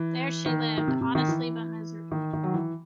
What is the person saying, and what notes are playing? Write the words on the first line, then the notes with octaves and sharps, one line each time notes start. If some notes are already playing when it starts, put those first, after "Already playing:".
There she lived honestly but miserably.
Already playing: E3
D#3
D#3
C3
C3
D#3
E3
D#3
D#3
F#3
E3